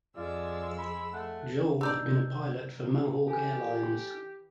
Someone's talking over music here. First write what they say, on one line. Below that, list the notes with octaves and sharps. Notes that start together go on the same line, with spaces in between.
Joel had been a pilot for Mohawk Airlines.
F2 G#3 F4 D5 E6
B5
A3 F#5
F#1 C3 D4 D#4 D5 E6 G6
E3 G4 A4 G#5